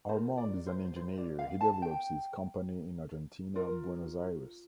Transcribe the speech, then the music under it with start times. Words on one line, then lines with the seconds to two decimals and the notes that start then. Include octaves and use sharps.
Armand is an engineer, he develops his company in Argentina, Buenos Aires.
0.09 F4 A#4 C5
0.37 D5
0.66 C5
0.96 C5
1.18 D5
1.39 F5
1.61 A5
1.82 G5
3.56 F4 A#4